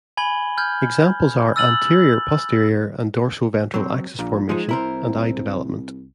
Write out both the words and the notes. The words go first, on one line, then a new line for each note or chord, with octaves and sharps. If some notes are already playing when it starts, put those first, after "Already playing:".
Examples are anterior-posterior and dorso-ventral axis formation and eye development.
G#5 B5 G#6 F#7 G7
F6 G6 G#6
E6 F6 A6 D#7 F#7
F#3 C4
A#1 A#2
F3 G#3 D#4 G#4
C2 E4 A#4 C5